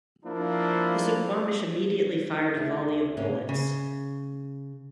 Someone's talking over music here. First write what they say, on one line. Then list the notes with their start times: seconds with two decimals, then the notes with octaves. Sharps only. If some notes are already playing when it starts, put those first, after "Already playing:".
The Suquamish immediately fired a volley of bullets.
0.24 F3 A#3 D4 E4
2.55 D2 E4 G#4
3.17 G#2 C3 A#3 C#4
3.49 C#3